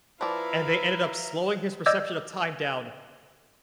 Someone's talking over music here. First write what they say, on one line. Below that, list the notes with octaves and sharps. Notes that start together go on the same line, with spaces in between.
and they ended up slowing his perception of time down
F3 E4 B4 D5 E5 F5 A#5
D5 D#5 D6 E6 G6 G#6